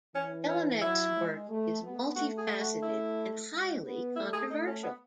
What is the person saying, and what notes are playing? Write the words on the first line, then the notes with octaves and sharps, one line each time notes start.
Jelinek's work is multi-faceted and highly controversial.
E3 C#4
C#4
F#3 E4
G#3
A3
B3
A3 F#4
G#4
F#4
E4
G#3
B3
A3 E4
G#4
A3 D#4
C#4
B3